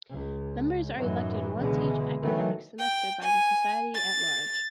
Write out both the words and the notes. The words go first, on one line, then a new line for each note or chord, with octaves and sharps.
Members are elected once each academic semester by the Society at large.
C#2
F#2 A2 D#3 E3 F#3
C#2 B2 D3 E3 G#3
B2 D#3 E3 F#3 A3
G5
G#5
A6